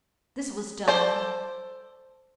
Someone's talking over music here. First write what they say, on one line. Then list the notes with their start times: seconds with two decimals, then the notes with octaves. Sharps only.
This was done.
0.88 A4 C5 D5